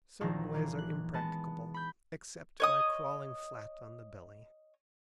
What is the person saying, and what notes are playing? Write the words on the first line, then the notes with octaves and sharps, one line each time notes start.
Certain ways are impracticable, except by crawling flat on the belly.
A#1 D#3 F3 F#3
E3 A#3
F#6
G#3 B3 A5
B5 G6
C#5 D#5 D#6